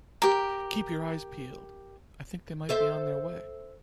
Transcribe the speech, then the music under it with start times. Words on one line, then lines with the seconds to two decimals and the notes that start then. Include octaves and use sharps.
Keep your eyes peeled! I think they might be on their way.
0.22 G4 A#4
2.69 A4 C5 E5